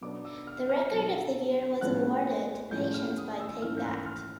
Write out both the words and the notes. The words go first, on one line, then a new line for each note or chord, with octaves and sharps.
The Record of the Year was awarded to "Patience" by Take That.
B2 F#3 B3 D4 D6
E6
F6
F6
B2 F#3 B3 D4
A2 F3 G#3 C#4 F#6
A2 F3 G#3 C#4 G6
F6
D#6
E6
G#2 E3 A3 C#4 F6
G6
F#6
F6